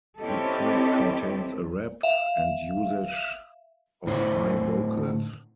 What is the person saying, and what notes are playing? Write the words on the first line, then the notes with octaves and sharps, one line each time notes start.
The track contains a rap and usage of high vocals.
C4 C#4 E4 G4 A4 D#5
E5 F5
A2 D3 E4 C5